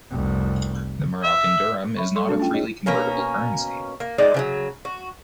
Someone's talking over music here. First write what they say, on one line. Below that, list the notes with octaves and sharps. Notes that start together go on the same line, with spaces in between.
The Moroccan Dirham is not a freely convertible currency.
F1 C2
E5
F#3 E5 B5 C#6
G3 A4 C6 C#6
A3 C4 D4 F#4 A4
C#4 F4 G5
D#4 G#4 C#5 D#5
B2 A#3 C#4 A#4
A#3
G#3 D#4 D5
C#3 E3 F#3
F#4